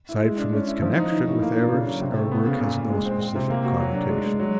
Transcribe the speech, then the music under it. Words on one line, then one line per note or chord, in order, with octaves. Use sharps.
Aside from its connection with errors our work has no specific connotation.
E4
G#3
D4
C#4
E4
F3
D#4
E3
A2
A#3
D4
C#3
F#3
C3
A3
B3
C#3
A#2
A#2
G#3
C4
C4
C3
A#3
F#4
F#3
D4
G#3
G#3
F#3